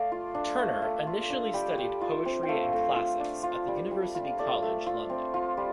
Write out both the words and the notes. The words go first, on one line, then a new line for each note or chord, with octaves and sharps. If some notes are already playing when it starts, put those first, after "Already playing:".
Turner initially studied poetry and classics at the University College London.
Already playing: A3 D5 F5
F4
D4
A3
A3
F4
D4
G3 G5
G3
F4
C4
G5
A3 F5
A3
F4
D4
F4
G3
G3
F4
A3 D5
A3
F4
C4
F4
G3